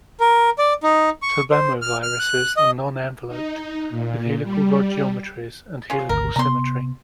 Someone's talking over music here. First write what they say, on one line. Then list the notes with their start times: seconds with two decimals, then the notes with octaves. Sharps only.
Tobamoviruses are non-enveloped, with helical rod geometries, and helical symmetry.
0.20 A#4
0.58 D5
0.83 D#4
1.22 C#6
1.51 C5
1.82 F6
2.03 F6
2.19 F#6
2.57 D#5
3.29 D#4
3.90 A#2
4.43 G3
5.90 C#4 F4
6.09 G#1 D2 A#4
6.36 C3 B3 A#5 C6